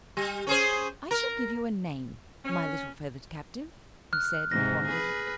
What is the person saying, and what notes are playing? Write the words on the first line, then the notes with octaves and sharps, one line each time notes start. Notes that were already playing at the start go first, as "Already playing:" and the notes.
"I shall give you a name, my little feathered captive," he said, and pondered.
G3
C#4 G#4 C5
A#4
C#4
F6 F#6
G#2 C3 A#6
G#4 B4